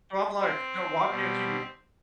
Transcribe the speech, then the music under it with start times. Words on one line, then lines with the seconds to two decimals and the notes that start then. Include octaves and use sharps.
So I'm like, you know, why can't you
0.39 C4
1.08 B2 G3